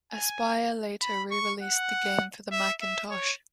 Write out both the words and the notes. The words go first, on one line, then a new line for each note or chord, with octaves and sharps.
Aspyr later re-released the game for the Macintosh.
G#5
B5
C#6
F#5
E5
E5
C#5